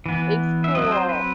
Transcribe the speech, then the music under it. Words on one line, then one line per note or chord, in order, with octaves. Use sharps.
It's cool.
E3 B3
E5
F#3 C4 D#5
C5
B4